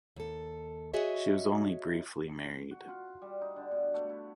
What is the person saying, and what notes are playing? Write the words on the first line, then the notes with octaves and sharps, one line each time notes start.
She was only briefly married.
D#2 A4
F#4 G#4 C#5 D#5 E5
F#4
F4
G3
D#4
D3
B2
A3
E4